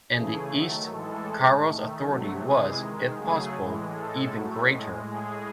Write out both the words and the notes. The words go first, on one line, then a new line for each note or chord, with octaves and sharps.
In the East, Karo's authority was, if possible, even greater.
C#3 E3 A3 G#4
D#3 F#3 A3
A2 E3 G#3 A4
A2 G#3
D#3 A3
C3 F#3 A3
C3 E3 G#3 G#4
D#3 G#3
C#3 F#3 A3 G#4
A2 E3 G#3
A2 G#3 A4
A2 F#3 A3
A2 G#3
A2 G#3 G#4